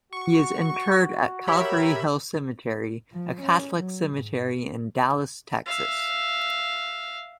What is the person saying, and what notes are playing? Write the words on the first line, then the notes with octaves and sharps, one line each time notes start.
He is interred at Calvary Hill Cemetery, a Catholic cemetery in Dallas, Texas.
F#4 C#6
G4 A#4 C#5 E5 B5
F3
C#4
F#3
G#2
E5 F5